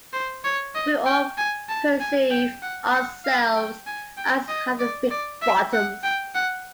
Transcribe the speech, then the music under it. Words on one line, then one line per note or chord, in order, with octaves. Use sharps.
We all perceive ourselves as having big bottoms.
C5
C#5
D#5
G5
G#5
A5
G#5
G5
F#5
F#5
F5
G5
G#5
G5
D#5
D5
D5
E5
F#5
G5
F#5